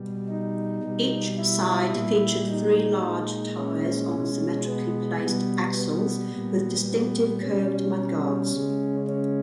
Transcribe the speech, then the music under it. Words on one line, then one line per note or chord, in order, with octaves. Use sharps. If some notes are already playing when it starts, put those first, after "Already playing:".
Each side featured three large tires on symmetrically placed axles, with distinctive curved mudguards.
Already playing: B2 G3
D#4
B2 G3
E4
A#2 G3
D#4
A#2 G#3
C#4
B2 G#3
B3
B2 G3
B3
A#2 G3
B3
B2 G3 C#4
C#4
C#3 G#3
C#4